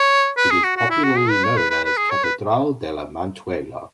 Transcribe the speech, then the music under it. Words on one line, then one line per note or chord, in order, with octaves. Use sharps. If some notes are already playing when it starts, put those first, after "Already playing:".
It is popularly known as Catedral de La Manchuela.
Already playing: C#5
B4
G#4
F#4
F#4
E4
F#4
G#4
B4
C#5
B4
B4
B4
G#4
C#5
B4